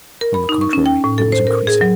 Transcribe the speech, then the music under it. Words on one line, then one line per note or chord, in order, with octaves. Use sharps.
On the contrary, it was increasing.
A#4
B5
D#4
C#6
C#4
G5
A2
A4
C5
A#4
G#4
F#3